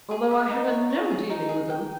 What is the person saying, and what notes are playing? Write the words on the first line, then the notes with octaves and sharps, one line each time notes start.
Although I have had no dealing with them.
G#4
E5
D#4
C#5
C#5
G#4
D#4
G#4
G5